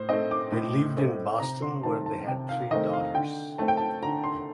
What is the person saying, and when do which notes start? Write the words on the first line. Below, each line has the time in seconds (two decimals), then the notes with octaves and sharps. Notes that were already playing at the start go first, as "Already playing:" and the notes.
They lived in Boston where they had three daughters.
Already playing: A2 C5
0.09 A3 C4 D#5
0.31 D6
0.52 A2
0.97 A3 C4
1.40 C3 A#5
1.62 C6
1.83 D#3 A3 C4 A5
2.06 A5
2.27 C3 G5
2.49 F5
2.71 D#3 A3 C4 D#5
2.93 F5
3.14 D3 G5
3.58 A3 C4 A5
3.68 G5
3.77 A5
4.02 D3 A#5
4.24 C6